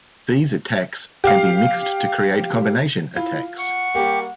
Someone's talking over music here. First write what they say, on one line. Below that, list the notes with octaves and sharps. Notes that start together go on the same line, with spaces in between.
These attacks can be mixed to create combination attacks.
G4 F5
E4 F4
F#5 C#6
G3 A#3 G4